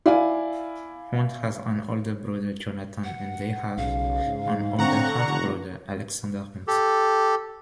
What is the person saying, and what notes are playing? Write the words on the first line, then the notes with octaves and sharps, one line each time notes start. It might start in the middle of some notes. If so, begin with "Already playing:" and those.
Hunt has an older brother, Jonathan, and they have an older half-brother, Alexander Hunt.
E4 D5 F5 G#5
F#5
B1 C#3 F5
G#2
D3 C4 F#5 A#5 C#6
F1
G4 A4